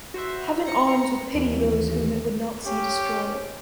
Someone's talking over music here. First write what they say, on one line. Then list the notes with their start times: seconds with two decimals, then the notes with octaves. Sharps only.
Heaven arms with pity those whom it would not see destroyed.
0.14 F#4 C5 E5
0.65 A#5 C#7
1.34 D#2 E3
2.65 C#4 G4